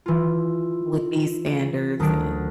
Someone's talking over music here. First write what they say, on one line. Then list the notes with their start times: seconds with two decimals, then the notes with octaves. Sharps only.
with these standards and
0.06 E3 F4
2.00 D2 D#3 F#3 D4 D7